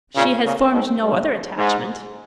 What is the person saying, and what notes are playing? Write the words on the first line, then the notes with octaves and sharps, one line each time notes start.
'She has formed no other attachment?'
A#2 C#3
A#2 C#3
G#2 B2
G2
G#2